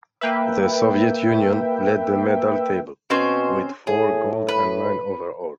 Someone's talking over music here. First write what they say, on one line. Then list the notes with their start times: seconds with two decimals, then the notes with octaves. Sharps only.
The Soviet Union led the medal table, with four gold and nine overall.
0.21 A#3 B4 E5 G5
3.10 B2 C4 C#4 C5
3.87 A2 G#4
4.49 B4